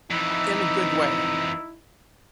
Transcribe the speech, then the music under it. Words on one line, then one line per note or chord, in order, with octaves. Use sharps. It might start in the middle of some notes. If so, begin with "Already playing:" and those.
in a good way,
F2 E3 D#4 E4